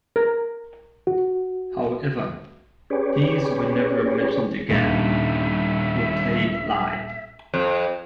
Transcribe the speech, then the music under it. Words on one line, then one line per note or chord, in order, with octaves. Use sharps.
However, these were never mentioned again or played live.
A#4
F#4
C#4 G4 G#4 B4 C#5 D5
D#1 G2 A#2 D#3 G3 C#4 E5
F2